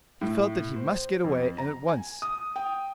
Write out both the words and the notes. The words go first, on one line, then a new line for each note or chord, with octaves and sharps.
He felt that he must get away, and at once.
A2
C5
F2
A#5
G#5
D#6
G5